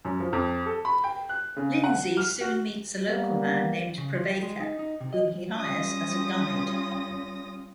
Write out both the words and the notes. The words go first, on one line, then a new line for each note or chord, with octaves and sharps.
Lindsay soon meets a local man named Prabaker whom he hires as a guide.
F#2
F3
F2
A4
B5
G5
F#6
C#3
F#5
F6
F#4
G3 A#3 B3
C#3
F3
G4
G#3
D#4
D#4
C3
D#5
G3 C#4 F4 D#6 A#6